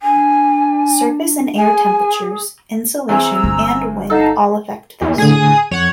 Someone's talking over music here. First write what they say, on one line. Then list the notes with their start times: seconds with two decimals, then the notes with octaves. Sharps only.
Surface and air temperatures, insolation, and wind all affect this.
0.02 D4 G#5
1.57 G#4 G#5
3.09 E2 C4 G#4 A#5 E6
3.44 G1
4.10 D#4 A4 F5 F#5 A5
5.01 E2
5.18 A2 D3 G#4 D#6
5.71 F2 C#5 F#5